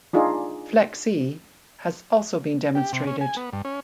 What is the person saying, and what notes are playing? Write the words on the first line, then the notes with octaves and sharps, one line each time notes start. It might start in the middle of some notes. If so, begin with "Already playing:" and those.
FlexE has also been demonstrated.
D4 D#4 F4 G#4 D5
G4
C3
C#4
G#5
B3
G2
C#4